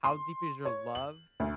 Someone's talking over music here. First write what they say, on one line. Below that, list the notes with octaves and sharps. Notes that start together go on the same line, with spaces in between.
"How Deep Is Your Love?"
C6
C#5
F#7
D2